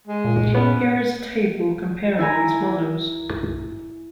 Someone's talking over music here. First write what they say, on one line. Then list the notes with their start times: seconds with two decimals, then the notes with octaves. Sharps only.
Here is a table comparing these models.
0.07 G#3
0.25 A#2
0.55 B3 C#4
2.19 E4 G#5 A#5